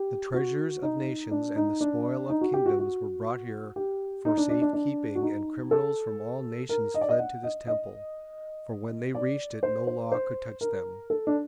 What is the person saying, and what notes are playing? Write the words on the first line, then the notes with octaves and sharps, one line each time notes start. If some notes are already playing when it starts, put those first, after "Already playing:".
The treasures of nations and the spoil of kingdoms were brought here for safe keeping and criminals from all nations fled to this temple, for when they reached it no law could touch them.
Already playing: G4
F#4
D#4
D4
D#4
D4
D#4
F#4
G4
F#4
F#4
G4
D#4
D4
D4
D4
D4
F#4
D#4
A4
A#4
D#5
D5
D#5
F#5
D#5
D#5
D5
C5
C5
C5
A#4
A4
D4